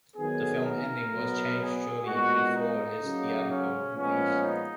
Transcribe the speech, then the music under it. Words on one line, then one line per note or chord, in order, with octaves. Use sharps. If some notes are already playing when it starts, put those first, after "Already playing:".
The film's ending was changed shortly before its theatrical release.
D#3 F#3 B3 G#4
A#4
B2 F#3 B3
G#4
A#2 G#3 B3 F#4
D#4
C#3 F#3 A#3
C#4
A#2 F3 G#3 B3 C#4
D#4